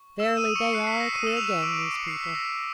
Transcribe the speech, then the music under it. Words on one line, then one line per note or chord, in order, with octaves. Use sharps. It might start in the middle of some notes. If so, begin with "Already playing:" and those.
Verily, they are a queer gang, these people.
Already playing: C#6
E6 E7
D#6 D#7
C#6 C#7
C#6 F#6 C7
B6
A#6
D#6 D#7
E6 E7
F7
E6 E7
D6 D7
D6 D7
C#6 C#7
C7
B6
A#6